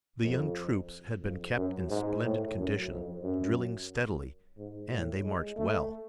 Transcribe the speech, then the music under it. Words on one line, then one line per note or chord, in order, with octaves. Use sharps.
The young troops had been kept in splendid condition, drilling steadily, and they marched well.
F2
F2
F#2
G#2
A2
F#2
F2
F#2
G#2
A2
G#3
A3